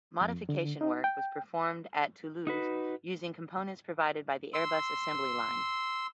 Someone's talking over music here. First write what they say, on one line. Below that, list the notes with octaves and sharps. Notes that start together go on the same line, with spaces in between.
Modification work was performed at Toulouse using components provided by the Airbus assembly line.
F2
D3
D#4
G5
D#4 F#4 B4
C6 E6